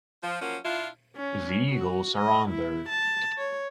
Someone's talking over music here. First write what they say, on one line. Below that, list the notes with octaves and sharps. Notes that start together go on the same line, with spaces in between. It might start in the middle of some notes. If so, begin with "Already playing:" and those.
The Eagles are on there.
F3
F3 F#3 A#3 C#4
D4 E4 F4
C#4
F#4
D#5
E4
A5
C#5